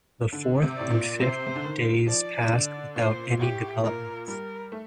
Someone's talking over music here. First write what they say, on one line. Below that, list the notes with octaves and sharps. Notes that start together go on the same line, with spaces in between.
The fourth and fifth days passed without any developments.
D3
C3
A2 D5
A#2
C3 C5
C3
D3
D#3
F3 D5
D3 D5
A#2 C5
A2 G4
A#2 A#4
G3 A#4
A3